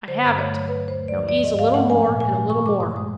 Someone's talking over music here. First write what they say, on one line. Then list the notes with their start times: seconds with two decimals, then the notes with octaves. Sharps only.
I have it; now ease a little more and a little more.
0.07 D3 C5
0.23 G2
0.38 A3 C#5
0.54 F#3
0.68 D3 B4
0.84 D#2 C5
0.98 A3
1.08 D5
1.14 F3
1.28 F3 D5
1.44 G#2 D#5
1.59 G#2 F5
1.74 A3 F#5
1.89 F3 G#5
2.05 A#2
2.20 A#2 G#5
2.35 A3
2.50 D#3 C#6
2.66 G2 D6
2.80 G2 D#6
2.96 G#3 D#6